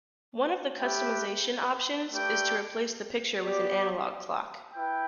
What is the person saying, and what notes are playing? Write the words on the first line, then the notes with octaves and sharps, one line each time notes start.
One of the customization options is to replace the picture with an analog clock.
A3 G4 B4 E5 G5
A3 G4 B4 D5 G5
B3 G4 D5
E4 B4 G5